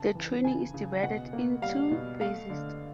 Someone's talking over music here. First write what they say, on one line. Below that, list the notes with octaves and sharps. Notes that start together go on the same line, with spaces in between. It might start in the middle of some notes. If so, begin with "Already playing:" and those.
The training is divided in two phases.
Already playing: C#3 A5
E3
C#3 G#5
C#3
B2 F#5
A#3
G3 F5
B2
A3 F5
D3